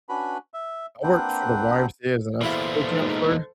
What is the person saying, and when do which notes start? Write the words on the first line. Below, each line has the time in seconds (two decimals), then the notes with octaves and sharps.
I worked for the YMCA as an after school counselor,
0.09 C#4 D4 F#4 B4 B5
0.54 E5
1.03 A#3 C4 D4 B4 F#5 G5
2.41 E2 A#2 B3 E4 F4 A4 C5
2.92 G#3 D#4